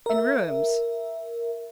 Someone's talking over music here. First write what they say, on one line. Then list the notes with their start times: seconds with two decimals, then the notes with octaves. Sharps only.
"In rooms?"
0.06 A#4 E5